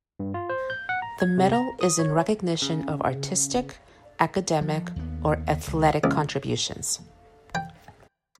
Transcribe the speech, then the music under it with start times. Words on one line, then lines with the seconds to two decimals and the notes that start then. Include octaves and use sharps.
The medal is in recognition of artistic, academic or athletic contributions.
0.20 G2
0.34 F4
0.49 C5
0.70 G6
0.89 F#5
1.02 A#5
1.20 G#6
1.38 C3
1.53 A#5
1.81 D#6
1.99 C#5
2.62 C#3
4.61 F3
4.96 D#2 B3
5.67 C#2
6.04 C#2
7.55 G5